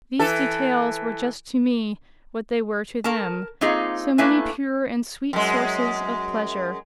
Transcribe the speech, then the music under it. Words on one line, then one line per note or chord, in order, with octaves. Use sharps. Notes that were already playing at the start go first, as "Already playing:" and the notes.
These details were just to me what they were to them--so many pure and sweet sources of pleasure.
E3 A4
A#4 A5
A#3 C4 D#4 F4 G#4
A3 A#3 D4 E4 B4 G#5
F#2 G#3